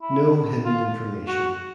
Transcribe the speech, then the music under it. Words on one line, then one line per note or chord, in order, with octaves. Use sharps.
No hidden information.
E4
F4
F#4